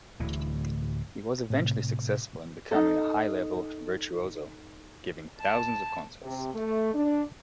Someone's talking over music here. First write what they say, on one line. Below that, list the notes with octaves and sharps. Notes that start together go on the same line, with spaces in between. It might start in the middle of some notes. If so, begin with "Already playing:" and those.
He was eventually successful in becoming a high-level virtuoso, giving thousands of concerts.
D1 D2 A2 E3
A2 C3
D#4 A4
A5
C3
A3
D4